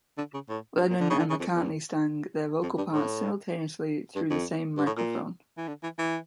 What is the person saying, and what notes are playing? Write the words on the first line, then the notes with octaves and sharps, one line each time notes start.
Lennon and McCartney sang their vocal parts simultaneously through the same microphone.
D3
C#3
A2
G2
A#2
D3
C#3
D3
C#3
F2
E2
F2
G2
A2
G2
F2
G2
A2
A#2
E3
D3
E3
E3